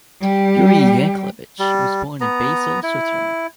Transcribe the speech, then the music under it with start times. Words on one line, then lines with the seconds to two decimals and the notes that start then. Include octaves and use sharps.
Yuri Yankelevich was born in Basel, Switzerland.
0.21 G3 G4
1.59 G3
2.21 B3 A#5
2.83 E4